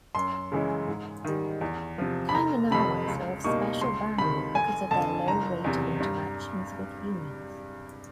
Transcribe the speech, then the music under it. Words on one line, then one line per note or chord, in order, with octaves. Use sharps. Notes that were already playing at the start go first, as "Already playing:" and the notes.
Kaimanawas are of special value because of their low rate of interaction with humans.
F#2 C6
C#3 E3 G#3 C#4
G#2
D#3 G3
E2
C3 F3
B5
F1 A#5
F2 C3 B5
C#2
B2 G3 A#3 D#4 C#6
C#2 C6
C3 D#3 B5
F1 G#5
F2 D3 A5
F#1 A#5
E2 C3
G2